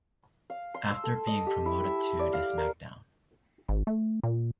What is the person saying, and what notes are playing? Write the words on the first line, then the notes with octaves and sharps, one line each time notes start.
After being promoted to the SmackDown!
F5
C6
E6
A4
D#5
G4
E4
E5
D5
F5
A#4
G#1
A3
A#2